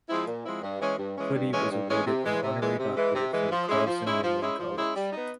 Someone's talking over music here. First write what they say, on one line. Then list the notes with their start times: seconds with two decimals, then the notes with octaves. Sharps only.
Foote was awarded an honorary doctorate from Carson-Newman College.
0.09 F3 G#3 C4 E4
0.26 A#2
0.45 F3 G#3 C4 E4
0.62 G2
0.80 E3 G#3 C#4
0.98 G2
1.17 E3 G#3 C#4
1.34 G2
1.52 E3 G#3 C#4
1.71 G2
1.88 E3 G#3 C#4
2.06 C3
2.24 E3 G#3
2.43 C3
2.61 E3 G#3
2.79 C3
2.97 E3 G#3
3.14 C3
3.32 E3 G#3
3.51 F3
3.68 G#3 C#4 E4
3.87 F3
4.05 G#3 C#4 E4
4.23 F3
4.41 G#3 C#4 E4
4.59 F3
4.76 G#3 C#4 E4
4.95 G3
5.12 B3 D#4